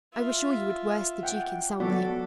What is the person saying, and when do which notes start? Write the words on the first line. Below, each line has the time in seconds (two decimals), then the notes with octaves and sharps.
I was sure you would worst the duke in some way.
0.13 F4 E5
1.23 F#5 G5
1.80 F#3 B3 F#4 A4 D5